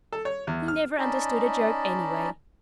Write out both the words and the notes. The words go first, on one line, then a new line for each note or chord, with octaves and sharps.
He never understood a joke anyway.
A4
C#5
E2
F6
C#4 D#4 D5 D#5 A5 B5